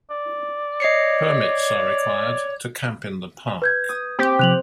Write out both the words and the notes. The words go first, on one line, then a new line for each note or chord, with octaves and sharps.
Permits are required to camp in the park.
D5
C#5 D#5 C7 C#7
B4 G6 G#6
D#6
C4 G4
C3 F3 F#6 F7 F#7